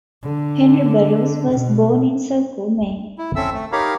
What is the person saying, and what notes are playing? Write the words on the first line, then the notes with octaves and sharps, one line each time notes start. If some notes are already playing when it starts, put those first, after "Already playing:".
Henry Barrows was born in Saco, Maine.
D3
B2
E4
C4 C#4 A4 E5 E6
A3
D#4 G4 A#4 C#5 F5 B5